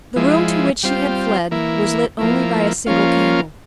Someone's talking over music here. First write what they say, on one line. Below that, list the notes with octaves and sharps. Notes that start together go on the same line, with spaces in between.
The room to which she had fled was lit only by a single candle.
F3 G#3 E4
G3 C4 F4
E3 A#3 E4
F3 A#3 E4
F3 A#3 C#4 F4